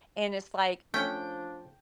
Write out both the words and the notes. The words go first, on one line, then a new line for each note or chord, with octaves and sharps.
and it's, like,
F3 A3 C#4 D4 G5